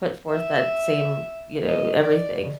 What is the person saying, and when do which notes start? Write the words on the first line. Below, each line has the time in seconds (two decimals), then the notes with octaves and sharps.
put forth that same, you know, everything.
0.31 E5
1.67 D#5
2.01 D5